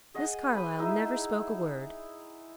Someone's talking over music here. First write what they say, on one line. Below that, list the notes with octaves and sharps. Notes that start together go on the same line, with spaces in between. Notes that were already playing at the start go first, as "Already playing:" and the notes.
Miss Carlyle never spoke a word.
G#4 D#5 F#5
C5 B5 D#6
D#4 E4 G#4 E5